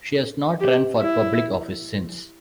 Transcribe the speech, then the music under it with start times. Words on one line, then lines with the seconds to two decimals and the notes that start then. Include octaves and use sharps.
She has not run for public office since.
0.60 G4
1.00 E4